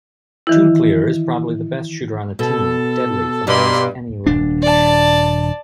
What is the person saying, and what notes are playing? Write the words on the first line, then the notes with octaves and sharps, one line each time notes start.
Tuncluer is probably the best shooter on the team, deadly from almost any range.
D#3 E3 E4
B2 A4
G2 B2 A#3 D5 B5 C6
D#1 D4
D5 A5